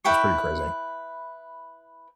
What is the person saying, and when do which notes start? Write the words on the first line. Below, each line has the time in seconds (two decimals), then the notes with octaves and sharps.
It's pretty crazy.
0.04 E4 B4 G5 C#6